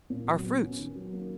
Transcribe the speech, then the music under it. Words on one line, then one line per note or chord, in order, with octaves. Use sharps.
Our fruits.
A#2
F#3
B3
C#4
D#3
F#3
A#3